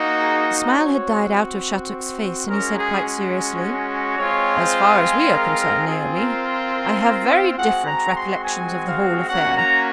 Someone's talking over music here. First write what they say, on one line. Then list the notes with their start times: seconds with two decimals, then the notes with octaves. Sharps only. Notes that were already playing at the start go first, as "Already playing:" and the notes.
The smile had died out of Shattuck's face and he said quite seriously: "As far as we are concerned, Naomi, I have very different recollections of the whole affair."
Already playing: A#3 D#4 F#4
0.20 G#4
0.76 C4 F#4 C#5
2.47 G#3 C#4 F#4 A#4
2.76 G#4
4.17 G#3 C4 F4 C#5
4.60 C5
5.02 G#4
5.31 A#4
5.60 A#4
5.87 C4 F4 G#4
6.16 A#4
6.45 A#4
6.73 A#4
7.01 A#4
7.30 F5
7.58 G#3 C4 F#4 F#5
7.87 A#5
8.15 C6
8.44 G#5
8.86 F5
9.28 A#3 C#4 F#4 F#5
9.57 A#5